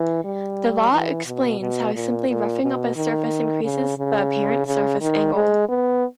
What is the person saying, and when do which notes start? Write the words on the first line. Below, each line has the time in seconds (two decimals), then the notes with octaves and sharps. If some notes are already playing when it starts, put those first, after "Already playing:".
The law explains how simply roughing up a surface increases the apparent surface angle.
Already playing: E3
0.24 G3
0.92 E3
1.26 B2
1.60 B2
1.94 A#2
2.28 A#2
2.63 B2
2.96 D#3
3.64 C#3
3.98 C#3
4.67 C#3
5.01 D#3
5.35 G#3
5.69 B3